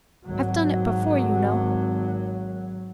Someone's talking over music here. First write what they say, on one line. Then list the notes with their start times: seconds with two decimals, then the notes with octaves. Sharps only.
I've done it before, you know.
0.25 G#1 F#3